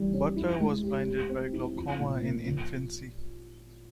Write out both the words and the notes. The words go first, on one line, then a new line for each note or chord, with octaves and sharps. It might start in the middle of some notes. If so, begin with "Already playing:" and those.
Butler was blinded by glaucoma in infancy.
Already playing: E3 G3
C#4
E4
G#3
G4
G4
C4
E4
F3
A#2
A#3
F3